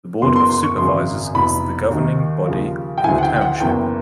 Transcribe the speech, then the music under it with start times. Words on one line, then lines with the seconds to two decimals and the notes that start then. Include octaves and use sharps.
The Board of Supervisors is the governing body in the Township.
0.22 F#1 E2 B2 C6
0.36 C6
0.50 C6
0.64 C#6
0.78 G#1 F#2 C#3 C6
1.34 F1 E2 B2 B5
1.91 D#2 D#3
2.47 D#2 C#3 F3
2.98 G5
3.04 D2 C#3 E3 G#5
3.18 F#5
3.23 G5
3.36 G5
3.41 F#5
3.60 F#1 E2 B2 G5